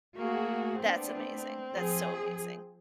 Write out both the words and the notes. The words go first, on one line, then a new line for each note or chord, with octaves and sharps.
that's amazing, that's so amazing,
A3 A#3 F#4 G#4
A3 B3 C4 D4
F3 G#4